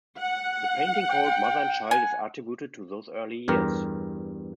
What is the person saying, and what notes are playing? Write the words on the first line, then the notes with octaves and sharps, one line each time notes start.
The painting called "Mother and Child" is attributed to those early years.
F#5
G5
G#5
E2 G2 G4 A#4